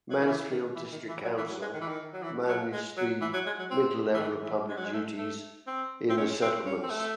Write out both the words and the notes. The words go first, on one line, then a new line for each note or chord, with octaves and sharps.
Mansfield District Council manage the middle level of public duties in the settlements.
F#3
D#3
E3
D#3
E3
D#3
E3
F#3
E3
F#3
G#3
D#3
E3
D#3
F#3
E3
F#3
G#3
F#3
E3
F#3
G#3
F#3
C4
E3
D#3
E3
G#3
F#3
G#3
A3
A3
C4
C4
C#4
C4
C#4
C4
A3